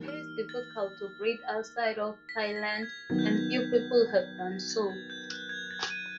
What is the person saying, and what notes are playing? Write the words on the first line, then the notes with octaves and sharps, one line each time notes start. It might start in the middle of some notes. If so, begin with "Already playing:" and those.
It is difficult to breed outside of Thailand, and few people have done so.
Already playing: E3 G3 A#3 D#4
F6
A6
B6
B6
G#6
D#3 F#3 B3 D#4 G#6
G6
G#6
A6
G#6
G6
F#6
G#6
A6
D#7